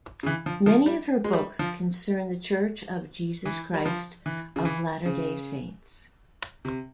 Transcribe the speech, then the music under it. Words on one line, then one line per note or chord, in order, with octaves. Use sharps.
Many of her books concern The Church of Jesus Christ of Latter-day Saints.
C#3
E3
F3
F3
G3
G#3
G3
F3
E3
G3
F3
E3
C#3
E3
C#3
C3